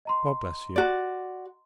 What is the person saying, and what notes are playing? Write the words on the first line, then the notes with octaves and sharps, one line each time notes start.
God bless you!
D#5 A#5 C6
F#4 D5